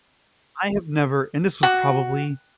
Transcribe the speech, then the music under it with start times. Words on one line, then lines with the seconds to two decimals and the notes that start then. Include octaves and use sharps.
I have never, and this was probably
1.63 F#4